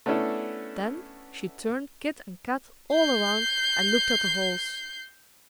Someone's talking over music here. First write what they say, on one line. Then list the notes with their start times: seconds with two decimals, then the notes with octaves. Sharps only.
Then she turned Kit and Kat all around and looked at the holes.
0.06 A3 B3 C#4 D4 E4 A4
2.94 G6 C7